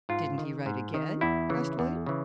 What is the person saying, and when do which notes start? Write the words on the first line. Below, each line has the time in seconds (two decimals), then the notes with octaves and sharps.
"Didn't he write again?" asked William.
0.09 G#2 F4
0.38 D#3
0.66 G#2
0.94 D#3
1.21 E2 E4
1.50 C#3 E3
1.79 E2
2.06 C#3 E3